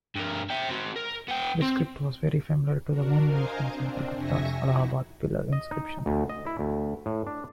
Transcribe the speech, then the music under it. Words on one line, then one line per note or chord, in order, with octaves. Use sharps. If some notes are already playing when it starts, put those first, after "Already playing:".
The script was very similar to the one used in Samudragupta's Allahabad Pillar inscription.
G2 A#4
E5 G5
C4 F#4
A#4
B3 G5
C4
D4 F#4 A#4
A#4 C5 D#5 F5 G#5 A#5
C4 D4
F2 C3 E5 G#5 C#6 A#6
D#4 E4 F#4
D#5
D#4
D2
D#5
E4
D2
A2
D4